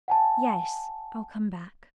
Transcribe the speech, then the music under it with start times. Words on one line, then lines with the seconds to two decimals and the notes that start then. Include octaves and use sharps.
"Yes--I'll come back."
0.08 F#5 G#5 A5